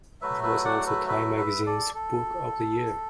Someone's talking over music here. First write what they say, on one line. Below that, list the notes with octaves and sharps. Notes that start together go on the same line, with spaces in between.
It was also Time Magazine's Book of the Year.
F#3 A3 F#4 B4 E5
B4 E5
D5 F#5
B4 E5
B4 E5
B4 E5
A4 D5
A4